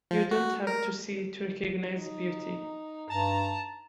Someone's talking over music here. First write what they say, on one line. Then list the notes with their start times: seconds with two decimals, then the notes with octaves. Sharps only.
You don't have to see to recognize beauty.
0.11 F3
0.31 F#4
0.67 A#4
1.96 D#4
3.10 G2 A5 A#5